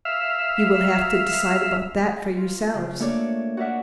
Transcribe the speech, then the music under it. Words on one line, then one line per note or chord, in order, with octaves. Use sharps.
You will have to decide about that for yourselves.
E5 F5
F4
C#3
A3 A#3 D4 A4 C#5 D5
F#4 A#4 D5 E5 F#5